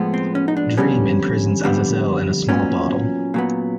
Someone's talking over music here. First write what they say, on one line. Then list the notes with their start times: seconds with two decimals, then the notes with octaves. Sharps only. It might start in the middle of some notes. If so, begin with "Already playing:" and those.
Dream imprisons Azazel in a small bottle.
Already playing: A2 F3 G#3 B3
0.14 C4
0.35 C#4
0.48 D#4
0.57 D4
0.77 F2 D3 G3 B3 C#4
1.64 F2 D3 G3 B3
2.49 A#2 F#3 B3 C#4
3.34 A#2 F#3 B3